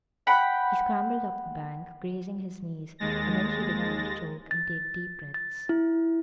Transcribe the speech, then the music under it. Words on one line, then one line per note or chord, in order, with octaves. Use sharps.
He scrambled up the bank, grazing his knees, and then she began to choke and take deep breaths.
F#5 G5 B5
D#2 G#3 A6 A#6
A6
A6
E4